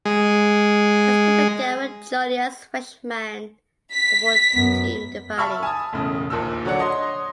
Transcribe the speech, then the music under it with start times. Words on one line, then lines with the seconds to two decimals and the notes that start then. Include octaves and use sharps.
The split began with Joliet's Freshmen football team dividing.
0.05 G#3
3.92 B6
4.54 F#2 B3
5.38 E5 A5 B5 C#6 E6 F6
5.63 G#5 A5 D#6
5.93 E1 A2 C#3
6.30 A#1 D#2 A#2 E6
6.65 D3 F#3 C#5 D5 F#5
6.79 C#5 D#5 C6